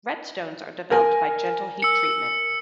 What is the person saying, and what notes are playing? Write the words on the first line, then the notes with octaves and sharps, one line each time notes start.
Red stones are developed by gentle heat treatment.
A#4 G#5
E6 C#7